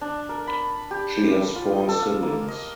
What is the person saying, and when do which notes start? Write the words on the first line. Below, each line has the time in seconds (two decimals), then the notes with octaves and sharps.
She has four siblings.
0.01 D4
0.29 A#4
0.47 B5
0.91 G4
1.56 F4
1.72 D#5
1.89 A4
2.02 F5
2.22 A#3
2.48 D#5